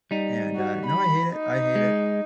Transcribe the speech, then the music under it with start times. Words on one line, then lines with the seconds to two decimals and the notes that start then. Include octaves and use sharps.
And, uh, now I hate it, I hate it.
0.11 G3 D#4
0.55 F#4
0.86 B5
1.34 D#4
1.75 G#3